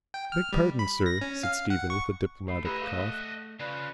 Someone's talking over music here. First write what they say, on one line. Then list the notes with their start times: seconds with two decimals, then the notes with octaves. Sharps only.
"Beg pardon, sir," said Stephen, with a diplomatic cough.
0.14 G5
0.32 F6
0.53 G3
0.79 B5
1.06 A#6
1.21 C#4
1.43 F5
1.70 F#5
1.90 C#6
2.48 A3 B5 C7
2.66 E4 G4 B4 D#5 E5 F#5 A#5
2.82 G#4 F5 F#5
3.14 F#6
3.60 C#3 F4 B4 D5